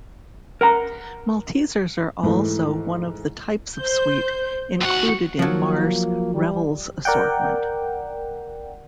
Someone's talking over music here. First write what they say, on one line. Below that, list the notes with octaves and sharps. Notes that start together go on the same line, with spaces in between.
Maltesers are also one of the types of sweet included in Mars's Revels assortment.
A#4 F#5 A#5
G#2 E3 A3
C5 G6
D#2 F#4 F#5
F3 F#3 A#3
G3
A#4 D5 F#5 G5